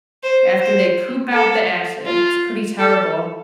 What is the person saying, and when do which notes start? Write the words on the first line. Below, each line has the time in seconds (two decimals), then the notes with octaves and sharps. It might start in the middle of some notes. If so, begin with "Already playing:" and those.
after they poop out the acid. It's pretty terrible.
0.23 C5
0.60 C5
1.33 A4
2.06 F4
2.79 A4